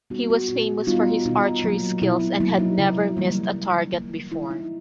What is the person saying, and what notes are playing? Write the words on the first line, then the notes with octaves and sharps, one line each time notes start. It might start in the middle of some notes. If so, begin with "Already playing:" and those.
He was famous for his archery skills and had never missed a target before.
G3 B3 D#4 F#4
F#4
A#2 F#4
G3 B3 D#4 F4
B2 D#4
F#3 A#3
B2 E4
F#3 A#3 E4
D#4
C#3 E4
E3 G3 A#3
C#3
E3 G3 A#3
D#3 E4
D#4